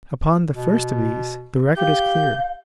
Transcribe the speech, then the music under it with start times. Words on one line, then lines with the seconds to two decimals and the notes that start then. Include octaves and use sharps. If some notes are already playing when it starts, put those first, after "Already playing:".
Upon the first of these, the record is clear.
0.53 B2
1.77 G4 F5 G6